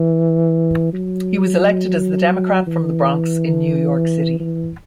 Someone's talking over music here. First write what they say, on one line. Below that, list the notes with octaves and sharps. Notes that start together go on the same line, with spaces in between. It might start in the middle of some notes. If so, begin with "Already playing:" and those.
He was elected as a Democrat from The Bronx in New York City.
Already playing: E3
F#3
E3
E3